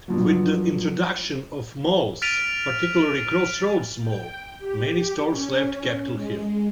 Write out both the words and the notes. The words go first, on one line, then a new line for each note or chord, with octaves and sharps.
With the introduction of malls, particularly Crossroads Mall, many stores left Capitol Hill.
G2 F3 F#3
F6 A6 B6 D7 D#7 F7
G5
G4
C#4
G#3